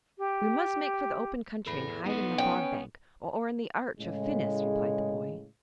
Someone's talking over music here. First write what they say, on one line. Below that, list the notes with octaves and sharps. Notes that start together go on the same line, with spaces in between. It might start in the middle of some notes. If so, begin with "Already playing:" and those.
"We must make for the open country and hide in the Fog Bank, or in the Arch of Phinis," replied the boy.
G4
E2 A4 B5
B3 D#4 A4
C#4 G5
A2 C#3 G#3